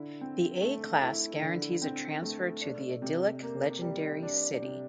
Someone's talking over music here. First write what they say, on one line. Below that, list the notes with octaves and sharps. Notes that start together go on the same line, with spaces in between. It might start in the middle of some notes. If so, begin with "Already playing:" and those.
The A class guarantees a transfer to the idyllic, legendary "City".
Already playing: D3 E4
C4
A3
E4
D3
C4
A3
D4
C3
A#3
G3
D4
C3